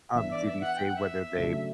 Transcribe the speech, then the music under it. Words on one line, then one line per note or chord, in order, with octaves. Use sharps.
Um, did he say whether they
E3 B3 D4 E5
D5
E5
F#5
G5
F#5
E5
C#3 F#3 A3 D4